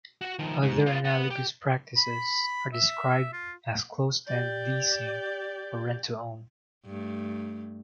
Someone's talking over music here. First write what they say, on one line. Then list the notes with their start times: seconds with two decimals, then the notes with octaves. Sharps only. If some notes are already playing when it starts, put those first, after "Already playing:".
Other analogous practices are described as closed-end leasing or rent to own.
0.21 F#4 F#5
0.39 D#3 F3
0.62 G#2
0.86 B3 F4
1.05 B3 F#5
1.31 G4
1.97 B5
2.74 E5
3.33 F4
4.26 G4 D5 G6
6.85 G2 A3